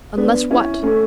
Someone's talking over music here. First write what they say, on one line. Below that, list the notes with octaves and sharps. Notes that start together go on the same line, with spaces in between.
"Unless what?"
B3 D4
C#4 E4
A3 C#4